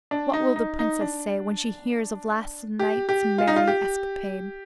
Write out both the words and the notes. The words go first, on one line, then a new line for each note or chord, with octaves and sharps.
What will the princess say when she hears of last night's merry escapade?
D4
D#4
D#4
D#4
D4
G4
G4
F4
D#4
F4
G4